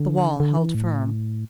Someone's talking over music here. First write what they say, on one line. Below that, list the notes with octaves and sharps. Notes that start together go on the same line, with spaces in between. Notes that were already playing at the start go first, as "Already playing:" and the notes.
The wall held firm.
Already playing: D3
D3
E3
A2